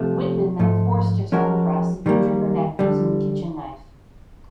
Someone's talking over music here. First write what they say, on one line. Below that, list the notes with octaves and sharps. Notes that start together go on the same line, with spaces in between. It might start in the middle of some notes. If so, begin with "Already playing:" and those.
Wittmann then forced her to undress and injured her neck using the kitchen knife.
Already playing: C3 F3 A3
G#2 F3 A3
F3 G#3 C#4 F#4 A#4
D#3 G3 A#3
D3 G3